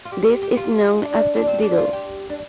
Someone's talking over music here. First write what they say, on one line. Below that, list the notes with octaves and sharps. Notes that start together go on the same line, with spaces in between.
This is known as the "diddle".
F4
G4
G4
G4
F4
D4
D4
C4
D4
F4
G4
D4